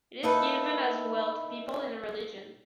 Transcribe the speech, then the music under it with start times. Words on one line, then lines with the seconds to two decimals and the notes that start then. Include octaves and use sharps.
It is given as well to people in religion.
0.23 A#3 D#4 E4 A4 B4